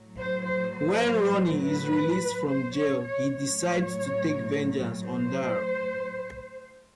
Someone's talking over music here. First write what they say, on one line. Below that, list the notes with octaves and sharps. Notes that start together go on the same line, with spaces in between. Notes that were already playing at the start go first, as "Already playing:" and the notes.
When Ronnie is released from jail, he decides to take vengeance on Darryl.
Already playing: A2 F#3
C5
C5
C5
B4
C5
C#5
C#5
A2 F#3 C#5
C5